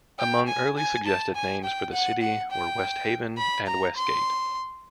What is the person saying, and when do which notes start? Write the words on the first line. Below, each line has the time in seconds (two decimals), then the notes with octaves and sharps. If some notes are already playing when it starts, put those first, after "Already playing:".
Among early suggested names for the city were West Haven and West Gate.
0.19 G5
0.48 G#5
0.77 G#5
1.06 A5
1.35 G#5
1.64 G5
1.92 F#5
2.21 F#5
2.51 G5
3.38 B5
3.67 A#5
3.96 C6